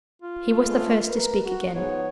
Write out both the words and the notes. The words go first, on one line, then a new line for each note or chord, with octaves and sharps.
He was the first to speak again.
F4
G#3 A3
A#4 B4
F#4
G#2 F3 B3 C#5